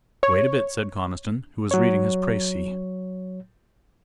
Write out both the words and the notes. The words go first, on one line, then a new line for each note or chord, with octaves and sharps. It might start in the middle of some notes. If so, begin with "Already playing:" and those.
"Wait a bit," said Conniston, who was reading his precis.
C#5
F#3 C#5